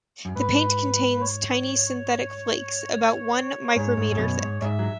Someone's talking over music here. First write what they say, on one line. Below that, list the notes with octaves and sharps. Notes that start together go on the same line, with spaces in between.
The paint contains tiny synthetic flakes about one micrometre thick.
F#2
G#2 B4
C#5
G#2 C#5
G#2
G#2
F#2 B2
G#2
G#2 E5
F#3